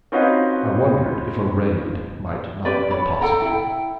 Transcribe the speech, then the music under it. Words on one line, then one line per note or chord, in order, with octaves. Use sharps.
I wondered if a raid might not be possible.
C4 C#4 D#4 F4 F#4 B4
C#4 G4 B4 D5
C#5 B5
A4 F#5 G5 A#5
E4 G5